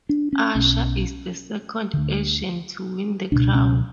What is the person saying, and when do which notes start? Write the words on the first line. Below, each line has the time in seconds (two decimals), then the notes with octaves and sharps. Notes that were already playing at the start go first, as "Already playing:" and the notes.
Asha is the second Asian to win the crown.
0.09 D4
0.33 C#4
0.55 B1 B2 C#4
1.93 D2 D3
3.32 C#2 B2 D4
3.55 C#4